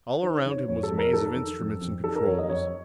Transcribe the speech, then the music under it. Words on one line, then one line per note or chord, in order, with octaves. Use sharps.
All around him was a maze of instruments and controls.
D#3 C5
D#3 C#5
F2 C#5
A4
F2
A#4
D#3 A4
D#3
F2
F2
D#3 A4
A#4
F2 C#5
D#5
F2 C#5